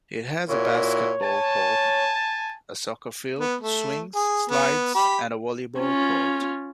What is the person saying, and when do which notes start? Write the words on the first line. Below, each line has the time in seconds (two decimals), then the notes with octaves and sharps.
It has a basketball court, a soccer field, swings, slides, and a volleyball court.
0.49 A#2 E4 F#4 C#5
1.23 G#5 A5
3.39 B3
3.61 A3
4.15 G#4
4.50 B3
4.95 G4 B5
5.79 C#4 F4